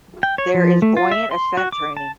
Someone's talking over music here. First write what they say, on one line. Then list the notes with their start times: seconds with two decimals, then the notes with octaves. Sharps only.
There is buoyant ascent training.
0.23 G5
0.38 C#5
0.54 F3
0.82 A3
0.97 F4
1.11 E5
1.31 C6
1.57 F#4
1.72 D6
1.97 A5